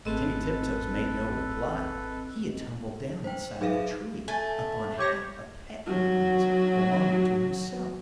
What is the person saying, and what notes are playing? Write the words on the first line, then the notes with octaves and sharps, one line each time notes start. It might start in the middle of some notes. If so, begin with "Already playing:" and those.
Timmy Tiptoes made no reply; he had tumbled down inside the tree, upon half a peck of nuts belonging to himself.
G#1 G#3 A3 C4 A4 B4 D#5
C5 G5
F#3 D#4 G#4 B4 E5 F5
A3 G#5
C3 G4 C#5 C#6 A#6
F#3 F#4